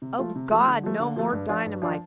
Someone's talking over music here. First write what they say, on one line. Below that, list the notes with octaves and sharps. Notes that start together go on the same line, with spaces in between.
O God! no more dynamite!
C3
F3 A3 F4
C3
F3 A3 F4
D3
F3 A3
D3
F3 A3
G2
F3 D4 F4
G2
F3 D4 F4